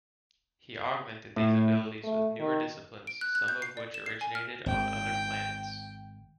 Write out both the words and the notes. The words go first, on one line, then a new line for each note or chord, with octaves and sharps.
He augmented these abilities with newer disciplines, some of which originated on other planets.
A2
A3
D#3
D7
F#6
F#6
G6
C7
D5
E7
C7
G#5
F6
G#1 G5